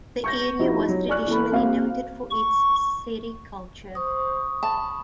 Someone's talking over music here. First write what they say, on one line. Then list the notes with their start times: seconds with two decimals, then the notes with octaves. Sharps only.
The area was traditionally noted for its sericulture.
0.24 C#6 G6 A#6
0.59 F3 D#4 E4 F#4 G4
0.88 F#3
1.09 D5 G#5 C#6 F6 F#6
1.27 E3 A#3 A4 B5
1.51 A#3 C4 F#4 F5
2.31 C#6
3.95 C5 C#6 D#6
4.63 A5 B5